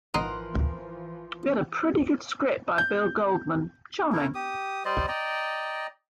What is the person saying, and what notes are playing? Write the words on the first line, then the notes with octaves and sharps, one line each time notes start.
We had a pretty good script by Bill Goldman, charming.
G#1 E3 F3 D#4 A#4 F#5 C6
G6
A3 E4 A#4
G4 D#6
G3 C5 D5 D#5
D5 D#5 G5 A#5